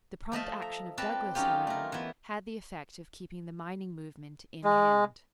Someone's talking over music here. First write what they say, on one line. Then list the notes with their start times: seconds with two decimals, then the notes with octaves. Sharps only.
The prompt action of Douglas, however, had the effect of keeping the mining movement in hand.
0.32 F3 A3 D#5 E5
0.62 A#5
0.98 C4 A4 B4 D5 A5 A#5
1.35 F#3 C#4 D#4 F4 G4
1.67 A3 A#4
1.92 E3 B3
4.64 G#3